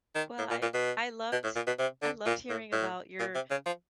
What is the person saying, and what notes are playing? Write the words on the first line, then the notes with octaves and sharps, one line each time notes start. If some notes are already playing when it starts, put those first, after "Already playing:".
Well, I I loved I loved hearing about your,
D#3
A2
A#2
A#2
B2
B2
A2
A#2
B2
C3
D3
A#2
A2
A2
A#2
C3
C#3
F3